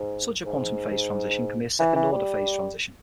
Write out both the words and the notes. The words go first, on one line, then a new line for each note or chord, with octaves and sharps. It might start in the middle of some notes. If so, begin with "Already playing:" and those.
Such a quantum phase transition can be a second-order phase transition.
Already playing: G#2
G#2
E3
E3
G3